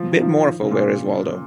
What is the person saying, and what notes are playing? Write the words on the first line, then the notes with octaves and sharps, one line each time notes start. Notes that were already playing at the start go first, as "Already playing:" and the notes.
Bit more of a 'Where Is Waldo?
Already playing: F3
D#3
F3
C#3
A#2